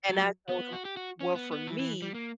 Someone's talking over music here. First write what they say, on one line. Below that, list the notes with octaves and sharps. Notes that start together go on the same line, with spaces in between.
And I told him, "Well, for me,
F#3
B3
F#4
G4
F#4
C#4
B3
B3
E3
E3
G3
A#3